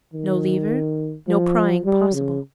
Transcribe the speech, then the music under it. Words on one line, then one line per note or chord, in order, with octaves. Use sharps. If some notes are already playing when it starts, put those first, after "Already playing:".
No lever; no prying possible.
D#3
F3
G3
C#3